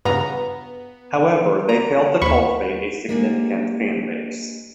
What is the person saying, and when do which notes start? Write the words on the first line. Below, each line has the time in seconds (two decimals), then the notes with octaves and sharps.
However they failed to cultivate a significant fan-base.
0.05 G2 C#3 B3 F4 A#5
1.69 A#5
2.22 D#2 C#5 B5 C#6
3.08 G#3 A#3 D4 G4 G#4